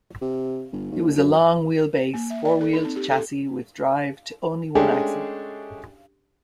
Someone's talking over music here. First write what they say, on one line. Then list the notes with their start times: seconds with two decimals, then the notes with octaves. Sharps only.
It was a long wheelbase four wheeled chassis with drive to only one axle.
0.21 C3
0.72 G1
0.92 D#2
1.17 F#2
2.14 A#3
2.30 E5
2.45 D5
2.61 A4
2.73 D#4
2.85 C4
2.96 G4
3.10 A4
4.75 G#3 A3 C#4 D4 G4 G#4